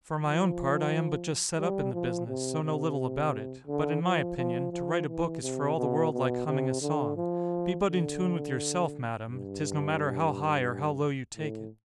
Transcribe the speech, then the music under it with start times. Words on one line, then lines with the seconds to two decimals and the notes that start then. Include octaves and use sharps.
For my own part, I am but just set up in the business, so know little about it--but, in my opinion, to write a book is for all the world like humming a song--be but in tune with yourself, madam, 'tis no matter how high or how low you take it.
0.17 F3
1.58 G3
1.93 F3
2.27 C3
2.62 C3
3.67 D3
4.03 F3
4.37 F3
4.72 F3
5.07 E3
5.42 C3
5.77 B2
6.12 B2
6.46 C3
6.81 D3
7.17 F3
7.87 D3
9.26 G2
11.36 A2